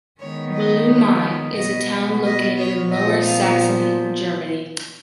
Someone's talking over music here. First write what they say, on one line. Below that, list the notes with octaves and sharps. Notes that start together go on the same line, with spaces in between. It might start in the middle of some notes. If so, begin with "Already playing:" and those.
Buluomei is a town located in Lower Saxony, Germany.
D#3 G#3 B3 C#5
D#5
C#5
B2 F#3 B3 D#5
D#5
C#5
A#2 F3 B3 D#5
F5